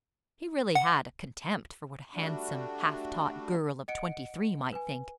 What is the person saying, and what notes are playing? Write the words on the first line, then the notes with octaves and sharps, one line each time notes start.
He really had a contempt for what a handsome half-taught girl of twenty-three might think.
F#5
G3 A3 D4 F#4
D#5 F#5 C#7 D7
B4 G#5